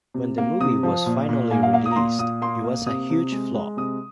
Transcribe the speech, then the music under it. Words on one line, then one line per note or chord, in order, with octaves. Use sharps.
When the movie was finally released, it was a huge flop.
C3
A#3
C3 D#6
F3
A#2
A#2
A#3 G#5
F5
A#3 F5
D#6
A#5
A#2 C6
A#2 D#6
A#3 C6
A#3
C3 D#6
C3
G#3
G#3
C3 D#6